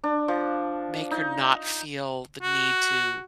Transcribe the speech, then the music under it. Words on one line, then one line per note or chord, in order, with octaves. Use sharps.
make her not feel the need to
D4
F3
D#4
F#4